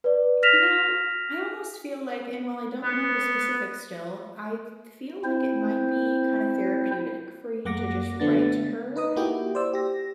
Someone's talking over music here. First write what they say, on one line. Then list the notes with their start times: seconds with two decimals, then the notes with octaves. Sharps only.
You know, I almost feel like and while I don't know the specifics still, I feel like it might be kinda therapeutic for you to just write to her.
0.04 B4 D5
0.43 F6 A#6 B6 E7 F7
2.83 B3
5.24 C4 E4 C5
7.65 F#2 A#3 F#5 D6 A#6
8.20 D3 A3 B3 D4 A6
8.96 D#4 B4 D#5 D#6
9.16 A#3 E4 F#4 G4 G5
9.55 C5 D5 E6
9.73 G4 A#6